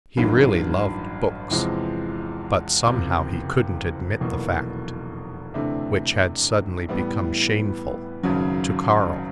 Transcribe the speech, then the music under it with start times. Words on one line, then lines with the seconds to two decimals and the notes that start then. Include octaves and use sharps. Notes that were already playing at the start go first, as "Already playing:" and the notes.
He really loved books, but somehow he couldn't admit the fact, which had suddenly become shameful, to Carl.
0.17 A1 G2 D#3 F#3
1.51 E2 C3 F3 G#3
2.85 F#1 F2 C3
4.20 F1 E2 B2 F#3 A#3
5.54 D2 C3 E3 A3 D4
6.88 A2 E3 G3 B3
8.23 G#1 F#2 C#3 F#3